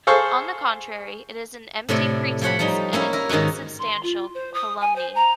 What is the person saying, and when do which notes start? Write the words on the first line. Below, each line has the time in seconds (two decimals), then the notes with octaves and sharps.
On the contrary it is an empty pretense and an insubstantial calumny.
0.07 G#4 A4 C5 F5 C#6
1.89 A2 C3 A3 D5
2.41 F3 G4 C#5 F#5 B5
2.59 F3 G3 D#4
2.93 A#3 C#4 E4 F5
3.13 E4 A#4
3.29 G#2 D#3 C#4 D#4 F#4
3.79 C6
4.03 F4
4.34 C5
4.53 D#6
4.80 G#5
4.95 C5
5.15 A#5